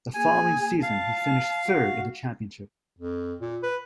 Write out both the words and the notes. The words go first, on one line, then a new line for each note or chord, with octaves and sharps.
The following season he finished third in the championship.
A#3 G#4 G#5
F5 A5
F#4
F2
A#2
B4